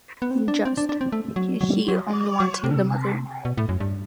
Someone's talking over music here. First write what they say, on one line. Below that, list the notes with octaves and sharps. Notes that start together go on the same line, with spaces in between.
Just! He only wanted the mother.
B3
C4
D4
C4
D4
D4
C4
A3
F#3
F#3
G3
F#3
F#3
C3
D3
C3
B2
A2
F#2
G2